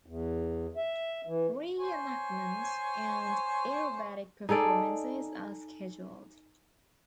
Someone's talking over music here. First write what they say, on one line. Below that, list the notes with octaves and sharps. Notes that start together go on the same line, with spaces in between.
Re-enactments and aerobatic performances are scheduled.
E2
E5
E3
C5 C#5 G#5
D#4 G#4 A4 D5